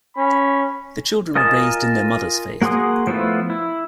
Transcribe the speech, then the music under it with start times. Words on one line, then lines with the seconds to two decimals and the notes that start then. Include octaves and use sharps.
The children were raised in their mother's faith.
0.17 C#4 B5
1.35 F4 A#4 D#5 G#5 A5
2.62 A#3 F#4 G#4 C6 D#6
3.07 F3 A3 B3 E4 F4
3.50 E4